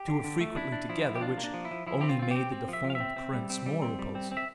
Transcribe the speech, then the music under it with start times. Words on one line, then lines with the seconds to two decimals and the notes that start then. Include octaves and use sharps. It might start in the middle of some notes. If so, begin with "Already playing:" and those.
The two were frequently together, which only made the deformed prince more repulsive.
Already playing: G4
0.08 D3
0.24 D3
0.41 A3
0.56 D4 E4
0.72 D4
0.89 F3 E4
1.06 F3
1.15 G4
1.21 D4 F4
1.38 A#3
1.44 D4
1.54 F3
1.65 E4
1.71 F3
1.87 F3 E4
2.01 C4 G4
2.09 F4
2.19 C4 F4
2.31 C4 G4
2.52 C4
2.68 F3 E5
2.84 F3
2.90 F5
2.95 E5
3.00 C4
3.17 C4
3.33 G3
3.50 C4
3.66 G3
3.82 C4
3.99 G3
4.15 C4
4.32 C4
4.37 E5